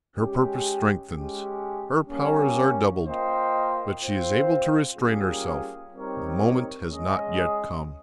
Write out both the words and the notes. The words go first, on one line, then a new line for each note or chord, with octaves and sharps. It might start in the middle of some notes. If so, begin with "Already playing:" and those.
Her purpose strengthens, her powers are doubled, but she is able to restrain herself: the moment has not yet come.
G#3 C#4 G4
G#3 C#4 G4
G3 A#3 C#4
A#3 F4 C5 D#5 G5
C4 F4 C5
G3 A#3 C#4 F4 G#4
G3 C4 D#4 A#4 C#5
G#3 C#4 G#4 D#5